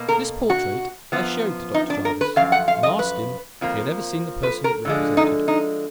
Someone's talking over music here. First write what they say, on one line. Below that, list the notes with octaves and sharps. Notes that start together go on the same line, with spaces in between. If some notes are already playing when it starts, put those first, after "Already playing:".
This portrait I showed to Dr. Jervis and asked him if he had ever seen the person it represented.
Already playing: B2 A#3
A#4
F#4
F#2 F3 B3
D#4
D4
A#4
B4
F#2 F3 F5
F#5
F5
D#5
B4
F2 F3 A#3
B4
A#4
D3 F3 G#3
D#4
D#4